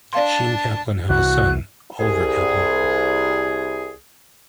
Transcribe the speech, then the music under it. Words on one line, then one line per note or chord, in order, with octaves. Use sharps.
She and Kaplan have a son, Oliver Kaplan.
D4 D5 F5 A5 C6
C2 E3 F#4 F#6
C2 G#4